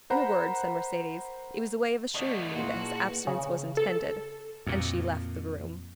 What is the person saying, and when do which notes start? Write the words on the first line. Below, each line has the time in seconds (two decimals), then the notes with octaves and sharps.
"In a word," said Mercedes, "it was a way of assuring me that his abstinence was intended." And she left the room.
0.10 A#4 C5 F#5 A#5 B5
2.15 A3 B3 B4 D5 D#5
2.55 A#2 A#3 E4 F#4 G#4 C6
2.79 G#4 B4 A5
3.27 C#3
3.77 A4
4.66 F2 A#2